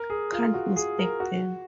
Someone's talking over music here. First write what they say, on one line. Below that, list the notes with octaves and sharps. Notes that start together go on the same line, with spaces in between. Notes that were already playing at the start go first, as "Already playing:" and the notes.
Can't mistake them.
Already playing: A#4
G#4
F4
F#4
G#4
A#4
F#4